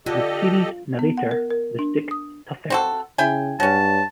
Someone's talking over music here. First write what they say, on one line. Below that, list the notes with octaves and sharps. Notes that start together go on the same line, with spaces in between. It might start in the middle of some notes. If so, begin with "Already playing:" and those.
The series' narrator was Dick Tufeld.
D3 F4 G4 A4 D#5
B3
F#5
A#4
A#4
D4
D#6
C4 F#4 A4
C#3 E4 G5 G#5
G2 F#3 C#4 A5